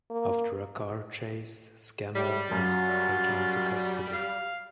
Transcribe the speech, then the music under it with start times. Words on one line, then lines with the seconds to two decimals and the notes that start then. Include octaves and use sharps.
After a car chase, Scanlon is taken into custody.
0.11 A#3
2.15 A2 G3
2.51 F#2 F4 F#4
2.89 G3
4.13 F5